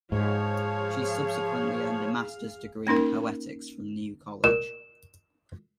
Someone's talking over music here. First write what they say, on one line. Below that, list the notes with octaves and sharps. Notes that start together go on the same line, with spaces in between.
She subsequently earned a master's degree in Poetics from New College.
G#2 F3 G#4 C#5 F5
A#3 C#4 D#4 A#4
A#2 E7